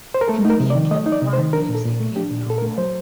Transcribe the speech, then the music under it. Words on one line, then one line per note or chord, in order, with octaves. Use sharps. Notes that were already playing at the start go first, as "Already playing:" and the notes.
Comedian Kevin Hart makes a cameo role.
C5
A#4
A3 A4
D#4 A#4
C3
D5
D#3
A3 D#5
D#4
D5
C3
C5
D#3
D4 A#4
A#2
A4
A#2
A3
D4 G4
A#2
A#2 A4
A#4
A3
F#3 C5